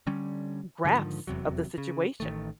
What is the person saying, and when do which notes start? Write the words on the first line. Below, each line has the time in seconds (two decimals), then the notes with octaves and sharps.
grasp of the situation
0.07 D3 G3 C#4
0.85 G#2 D3 D#3 F3
1.27 F1 E2 C3 F#3
1.78 C#3
2.20 A1 D#3 A3